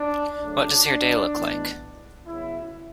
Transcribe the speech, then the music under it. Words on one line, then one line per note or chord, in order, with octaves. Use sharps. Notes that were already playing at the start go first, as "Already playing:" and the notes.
What does your day look like?
Already playing: D4
C#3 F#3 A3 D4
A2 E3 G#3 B3
C#3 F#3 B3 E4